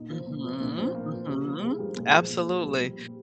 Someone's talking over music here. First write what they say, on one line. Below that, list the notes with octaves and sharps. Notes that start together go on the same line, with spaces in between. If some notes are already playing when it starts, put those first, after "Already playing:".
Mhm, mhm, absolutely,
Already playing: A#2 D#4
F3
A#2
F3
A#2 D4
F3 C4
A#2 A#3
F3
C3
F3
C3 G#3
F3 G3
A#2 G#3
F3
A#2
F3
A#2 G3
F3
A#2